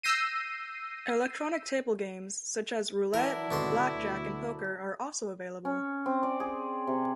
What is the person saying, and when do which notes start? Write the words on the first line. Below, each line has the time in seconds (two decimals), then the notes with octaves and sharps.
Electronic table games, such as roulette, blackjack, and poker, are also available.
0.03 E6 G6 A#6 C7 D#7
3.14 E3 F#3 D4 E4 A#4
3.51 G#1 B2 D3 C6
3.94 D2
5.65 C#4
6.06 C4
6.23 D5
6.40 G#4
6.87 C3